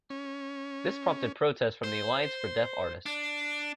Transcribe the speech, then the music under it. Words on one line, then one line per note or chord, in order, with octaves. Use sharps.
This prompted protests from the Alliance for Deaf Artists.
C#4
C5
D4